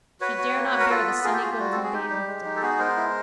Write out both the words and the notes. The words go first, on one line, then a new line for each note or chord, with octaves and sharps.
She dare not bear the sunnygolden babe of day.
F#4 B4 C#5
F#4
A#3
F#4
A#4
F4 A4 B4
B3
F4 G#4 A#4
G4 A4
F4 F#4 G#4
G4
G3 F#4
C4 A4
G#4
D#4 G4
G3
G#3
D#4
A4
B3 F#4 G#4
G#3 A#4 C5
E4